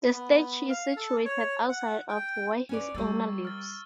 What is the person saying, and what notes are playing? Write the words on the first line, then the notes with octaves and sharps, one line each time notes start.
The statue is situated outside of where his owner lives.
B3
F5
A4
C#5
F#5
G5
C#4 B4 D5
G3 A#3 G4 C#6 E6 A6
F6 A6